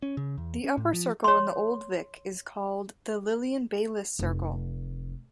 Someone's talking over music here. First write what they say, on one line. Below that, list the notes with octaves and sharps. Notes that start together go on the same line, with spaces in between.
The upper circle in the Old Vic is called the Lilian Baylis Circle.
C#4
C#3
E2
C#4
A2
F3
C#5 C6
F1